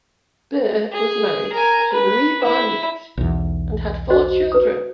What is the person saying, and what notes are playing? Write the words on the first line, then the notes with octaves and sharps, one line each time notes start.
Burr was married to Marie Barnitt and had four children.
G#4
A#4 G#5
B4
E4
B1 E2
F#4 C5 D#5
B4 D#6